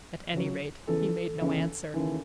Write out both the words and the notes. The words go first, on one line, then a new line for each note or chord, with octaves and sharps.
At any rate, he made no answer.
C#2 C#3 F#3
E2 C#3 E3 A4
E2 C#3 E3
D#2 C#3 E3